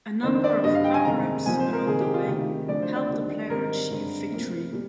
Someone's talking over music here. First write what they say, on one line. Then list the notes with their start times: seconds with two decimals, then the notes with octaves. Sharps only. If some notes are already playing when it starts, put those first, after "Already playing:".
A number of power-ups along the way help the player achieve victory.
0.23 F2 D#3 A#3 D4 C5
0.44 D5
0.63 G2 D3 G3 D#5
0.75 F5
0.84 G5
0.94 G#5
1.05 F2 C3 D#3 G#3 C4 A#5
1.46 C2 A#2 F3 C4 G#5
1.60 C5
1.73 A#4
1.87 C3 D#3 A#3 G#4
2.01 G4
2.14 F4
2.27 D2 C3 D#3 G4
2.68 D2 D3 F3 D5
2.82 C5
2.96 D5
3.09 D#2 D#3 G3 D4
3.50 G#2 D#3 G3 C4 A#4
3.90 G2 D3 G#3 C4
4.31 D2 C3 F3 A#3
4.72 A#2 G3